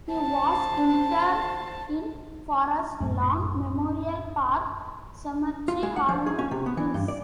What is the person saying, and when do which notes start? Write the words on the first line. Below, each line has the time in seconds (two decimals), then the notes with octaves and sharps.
He was interred in Forest Lawn Memorial Park Cemetery, Hollywood Hills.
0.11 C5 A5
3.00 A#1 F#2 A2
5.68 F4
5.83 G#3
5.96 F#5
6.09 F3
6.26 G#4
6.39 C#4
6.51 C3
6.66 B3
6.77 E3
6.94 G2
7.08 D5